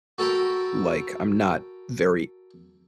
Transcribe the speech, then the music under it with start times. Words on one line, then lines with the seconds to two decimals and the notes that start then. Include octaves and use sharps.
like, I'm not very
0.18 F#4 A4 A#4 G5 B5